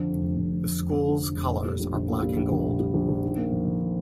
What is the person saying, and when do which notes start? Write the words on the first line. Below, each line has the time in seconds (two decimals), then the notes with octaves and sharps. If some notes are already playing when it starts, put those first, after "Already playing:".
The school's colors are black and gold.
Already playing: F2 D3
0.09 F1
0.23 F1
0.37 F2
0.51 D3
0.65 F1
0.79 F1
0.93 F2
1.08 D3
1.22 F1
1.36 F1
1.51 A#2
1.65 G3
1.80 A#1
1.94 A#1
2.08 A#2
2.22 G3
2.36 A#1
2.52 A#1
2.65 A#2
2.79 G3
2.94 A#1
3.09 A#1
3.22 D#3
3.37 A#3
3.51 F2
3.65 F2
3.80 D#3